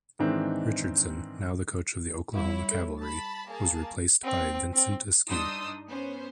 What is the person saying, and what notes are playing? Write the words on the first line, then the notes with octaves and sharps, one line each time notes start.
Richardson, now the coach of the Oklahoma Cavalry, was replaced by Vincent Askew.
G#2 D#3 E3 C4 D4
G3 E4 C#5
A4
A5 B5 A6
A#3 G#4 A5
C4
C4
G2 D4 D#4 C6 D#6 E6
B3 C#4 C5